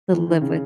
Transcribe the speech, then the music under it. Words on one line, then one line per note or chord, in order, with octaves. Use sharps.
to live with
E3
D#3
C#3